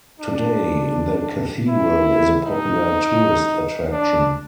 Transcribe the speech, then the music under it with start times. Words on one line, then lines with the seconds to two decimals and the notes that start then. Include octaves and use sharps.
Today, the cathedral is a popular tourist attraction.
0.20 D4
1.68 E4
2.43 D#4
3.92 D4